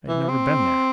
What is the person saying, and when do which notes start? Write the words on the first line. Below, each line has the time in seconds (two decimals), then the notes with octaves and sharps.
I had never been there.
0.08 E3
0.29 C4